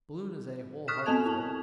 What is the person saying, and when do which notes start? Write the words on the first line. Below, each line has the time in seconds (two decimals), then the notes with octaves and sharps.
Balloon is a whole-hearted fellow.
0.88 C#6 D#6 F6 F#6 B6 E7
1.06 B3 C4 A4 A5 G#6 F7
1.26 E4 A5